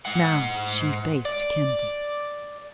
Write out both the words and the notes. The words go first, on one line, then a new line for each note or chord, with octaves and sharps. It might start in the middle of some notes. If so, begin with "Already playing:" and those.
Now she faced Kennedy.
G#2 F#5
D5